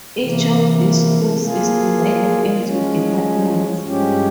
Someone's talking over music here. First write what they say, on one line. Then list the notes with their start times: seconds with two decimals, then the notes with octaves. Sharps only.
Each of these schools is divided into departments.
0.20 C3 E3 A#3
1.43 F3 A#3 F4 G#4
2.63 F3 G#3 C#4
3.86 G2 F3 G#3 C#4 G4